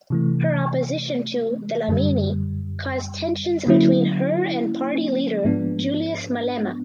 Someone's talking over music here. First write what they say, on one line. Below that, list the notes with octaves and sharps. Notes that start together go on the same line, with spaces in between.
Her opposition to Dlamini caused tensions between her and party leader Julius Malema.
C3 E3 A3
F#2 D3 G3
D3 F#3 A#3 C#4 E4
G#2 F3 G#3 B3 D4